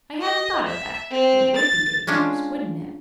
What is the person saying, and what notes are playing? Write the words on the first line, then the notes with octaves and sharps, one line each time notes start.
"I hadn't thought of that--it would be dangerous, wouldn't it?"
D#5
E5
C4
A6
G#3 C#4 D4 F4